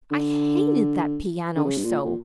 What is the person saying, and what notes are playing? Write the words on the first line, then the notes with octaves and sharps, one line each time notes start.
I hated that piano so!
D3
D3
C#3
G2
A#2
A#2